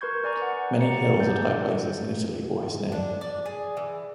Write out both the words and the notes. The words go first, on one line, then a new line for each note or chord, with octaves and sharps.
Many hills and high places in Italy bore his name.
A#4 B4 C6 C#6 G6 G#6
A#4 D5 G#5 A#5 C#6
F#5
D5 A#5 C#7
A4 D5 G6
D4
D5
G#4
E3